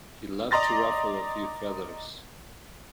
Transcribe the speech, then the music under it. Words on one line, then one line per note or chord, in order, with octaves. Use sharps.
He loved to ruffle a few feathers.
D5 D#5 A#5 C6 A6 A#6